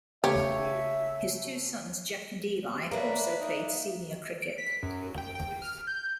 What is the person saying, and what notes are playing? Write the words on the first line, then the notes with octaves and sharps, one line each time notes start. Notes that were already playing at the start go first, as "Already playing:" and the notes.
His two sons, Jack and Eli, also played senior cricket.
C#3 A3 G4 C#5 E5
A#3 D4 A#4 B4 C#5 E5
D#4
D7
B6
F#2
G5
G5
F6
G6